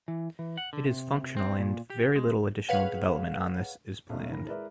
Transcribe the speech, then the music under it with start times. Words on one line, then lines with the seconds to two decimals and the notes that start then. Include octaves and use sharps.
It is functional and very little additional development on this is planned.
0.08 E3
0.39 E3
0.57 F#5
0.73 D3
0.86 C3
1.37 C4
1.59 A#2
1.90 G4
2.16 G#3
2.69 G#4 B4 C#5 F5 F#5
4.09 B1 F#2 A3
4.30 A1 D#2 D#3 A#4 B5 A#6
4.46 G#3 E4 A#4 B4 D5 E5